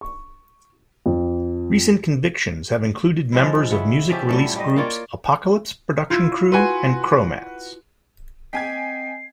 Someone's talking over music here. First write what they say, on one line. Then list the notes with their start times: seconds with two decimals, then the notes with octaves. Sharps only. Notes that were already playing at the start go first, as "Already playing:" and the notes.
Recent convictions have included members of music release groups Apocalypse Production Crew and Chromance.
0.01 C#6
1.06 F2
3.32 F3 G#3 E4
3.70 C#3 E4 F#5
4.10 F3 C#4 G4 E5
4.29 A2 F#3 G3 A4
4.56 G3 D#4 D#5
4.76 A#3 F4 C#5 D5
6.10 E4 F4
6.52 F#4 B4 G#5 C6
8.53 C4 D#5 G5 G#5 G#6 B6 C7